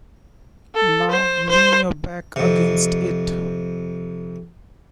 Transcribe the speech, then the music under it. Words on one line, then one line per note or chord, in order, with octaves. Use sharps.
Now lean your back against it.
A4
C5
C5
F2 C3